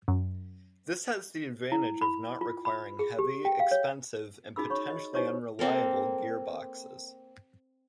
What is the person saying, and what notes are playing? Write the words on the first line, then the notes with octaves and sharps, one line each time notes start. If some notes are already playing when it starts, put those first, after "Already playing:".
This has the advantage of not requiring heavy, expensive and potentially unreliable gearboxes.
F#2
E4
B5
F4
B5
G#4
G4
G5
F5
C#5
D#4 F#4 G#4 B5 E6
C#5 B5 C#6
D#5
D#4 E4 G4 C5 C#5
A#3 C4 A4 A#4